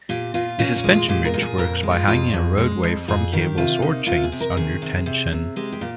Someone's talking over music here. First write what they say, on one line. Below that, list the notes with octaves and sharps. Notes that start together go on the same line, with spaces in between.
A suspension bridge works by hanging a roadway from cables or chains under tension.
A#2 G4
A#2 F4
A#2 C#4
C#4
G#3
F4
A#2 G4
A#4
A#2 G4
G#4
F2 A#4
G#3
F4
F2 F4
F2 G#4
G#3
F2
F2 G#4
D#3 G4
C3 F4
A#3 D#4
C3 F4
G#4
C3
A#4
D#3 G#4
C3
C3
C3
G#3 G4
G4
A#2